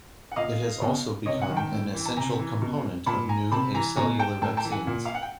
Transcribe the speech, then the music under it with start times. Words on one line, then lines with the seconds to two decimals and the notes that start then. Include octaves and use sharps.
It has also become an essential component of new acellular vaccines.
0.32 F#5
0.36 A#2 D#5 F5
0.81 B2
1.26 C3 C#5 D#5
1.42 F#5 G#5
1.49 D#3
1.56 G5 A5
1.72 A2
1.94 E3
2.05 A5
2.17 C3 G#5 A#5
2.39 E3
2.62 B2
3.06 A#2 A5 B5
3.29 G#5 A#5
3.51 C3 A5 B5
3.74 E3 G#5 A#5
3.96 B2 G#5 A#5
4.19 G5 A5
4.42 A2 G5 A5
4.57 G5 A5
4.64 E3
4.72 F#5 G#5
4.87 A#2
5.05 F5
5.15 F#5
5.23 G5